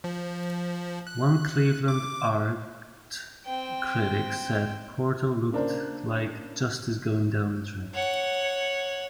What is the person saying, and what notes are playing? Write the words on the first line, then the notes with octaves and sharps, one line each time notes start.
One Cleveland art critic said "Portal" looked like "justice going down the drain".
F3
F#6
D6
C4 G5
C#3 A#3 D4 A#4 C5
C#5 F#5